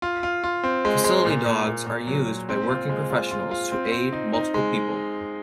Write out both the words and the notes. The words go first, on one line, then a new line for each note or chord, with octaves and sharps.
Facility dogs are used by working professionals to aid multiple people.
F4
F4
F4
C4
G#3
G#3
A#2
A#2
A#2
A#2
F#3
A#2
C4
F4
G#3
F4
F4
F4
C4
C4
D#4
D#4
G#3